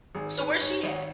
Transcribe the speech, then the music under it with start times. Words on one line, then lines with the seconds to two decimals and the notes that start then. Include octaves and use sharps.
So, where's she at?
0.15 G#1 G#4
0.38 G#2 B4
0.54 B4
0.61 G#2 C#5
0.83 G#1 C#5